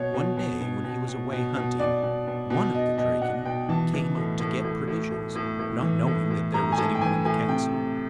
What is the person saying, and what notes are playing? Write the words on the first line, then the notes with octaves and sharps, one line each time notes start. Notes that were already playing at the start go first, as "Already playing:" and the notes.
One day, when he was away hunting, one of the Draken came up to get provisions, not knowing that there was anyone in the castle.
Already playing: B2 C#5
B2
B2
B2
B2
B2
B2
B2
B2 D5
B2
B2
B2
B2 D#5
B2 D#5
B2 F#5
B2 G5
E3 A5
E3
A2
A2
A2
A2
A2
A2
A2
E3
A2
A2
A2 A#5
G#5
A2 A5
G5
E3 G#5
A2 G#5
C3 G5
C3